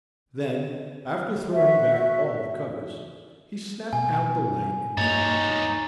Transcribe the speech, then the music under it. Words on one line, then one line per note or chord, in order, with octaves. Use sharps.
Then, after throwing back all the covers, he snapped out the light and got into bed.
F#4 E5
B2 G#5
G2 A#3 D#4 C#5 A6 F7